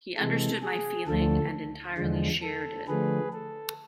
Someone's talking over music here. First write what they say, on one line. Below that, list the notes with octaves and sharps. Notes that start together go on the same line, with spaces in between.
He understood my feeling and entirely shared it.
C3 E3 G#3 A4
G#4
D2 D3 F3 A3 A4
E2 D3 F3 G#3
A4
D3 F3 A3 G#4 B4
A4